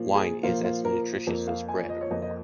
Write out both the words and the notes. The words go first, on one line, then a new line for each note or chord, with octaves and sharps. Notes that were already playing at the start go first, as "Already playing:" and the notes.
Wine is as nutritious as bread, or more.
Already playing: A#2 F3 A#3
G#4
A#2 F3 A#3 F4
F4
A#4
F2 F3 A#3
F5
G#5
D#5
C#5
F2 F3 A#3 D#5
D#5